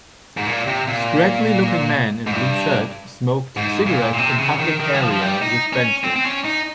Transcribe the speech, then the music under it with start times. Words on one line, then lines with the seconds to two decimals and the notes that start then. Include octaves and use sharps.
Scraggly looking man in blue shirt smoked cigarette in public area with benches.
0.37 G#2
0.47 A#2
0.67 C3
0.88 A#2
2.27 G#2
2.32 G2
3.57 G#2
3.87 A#2
4.14 A#2
4.18 C3
4.39 C#3
4.59 D#3
4.80 D#3
4.94 G3
5.01 F3
5.11 F3
5.21 G3
5.42 D#4
5.73 C#4
6.04 C4
6.16 C4
6.25 C#4
6.45 D#4